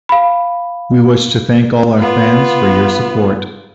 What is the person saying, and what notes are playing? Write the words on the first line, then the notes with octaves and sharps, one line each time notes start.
We wish to thank all our fans for your support.
F5 B5
B3 F4